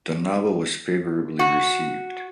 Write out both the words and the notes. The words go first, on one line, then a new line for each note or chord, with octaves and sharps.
The novel was favorably received.
F#4